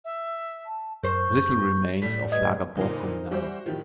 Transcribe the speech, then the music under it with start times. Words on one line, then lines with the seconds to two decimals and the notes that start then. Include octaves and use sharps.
Little remains of Lager Borkum now.
0.05 E5
0.66 A5
1.03 F#2 A#4 C5 C#6 G6
2.02 A2 G3 B6
2.32 B4 D#5 G#6
2.77 A#2 D3 D#4 A#4 C5
3.31 E3 G3 F#4 G4 C5
3.66 A2 D#3 F3 G4